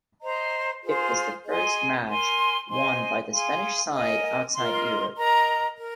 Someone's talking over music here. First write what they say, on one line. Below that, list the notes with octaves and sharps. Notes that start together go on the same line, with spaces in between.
It was the first match won by the Spanish side outside Europe.
C5 D#5 A#5
F4 G#4 C5
G#4 D#5 G#5 C6
A#4 G#5 C6
C5 D#5 G#5 C6
G#4 F5 G#5 C6
A#4 D#5 G#5
F4 A#4 D#5 C6
A#4 D#5 A#5
A#4